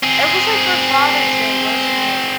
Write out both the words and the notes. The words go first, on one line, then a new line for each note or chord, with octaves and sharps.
it was like for Father's Day, wasn't it?
C4 G#4